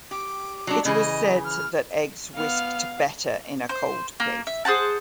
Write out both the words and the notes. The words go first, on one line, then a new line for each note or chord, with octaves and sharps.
It was said that eggs whisked better in a cold place.
G4 D6
F#3 D4
C#3 E3 G#4 D#5
F6
B3 F5 F6
C5
A#3
E5
G#4 C5 F#5 A5